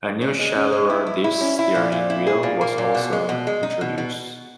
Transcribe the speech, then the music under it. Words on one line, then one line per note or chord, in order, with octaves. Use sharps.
A new shallower-dish steering wheel was also introduced.
C#4
G#3
C#4
G#3
E4
E4
E4
C#4
E4
A#2
A#2
E4
G#4
A#2
A#3
A#2
B2
G#3
B2
G#3
D#4
B2
B2